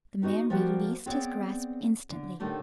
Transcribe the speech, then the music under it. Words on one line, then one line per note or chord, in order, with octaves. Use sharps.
The man released his grasp instantly.
B3 D#4 F#4 D#5
F3 G3 A#3 C4 F#4 G4
B3 C4 G#4 C#5 D5
D3
A2 D3 D#3 G3 A3 A#3